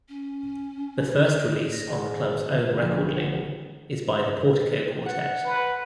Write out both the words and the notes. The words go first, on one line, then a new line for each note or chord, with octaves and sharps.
The first release on the club's own record label is by the Portico Quartet.
C#4
A#6
G#1
A3
D3
A#1
G6
F#5
F#5
B4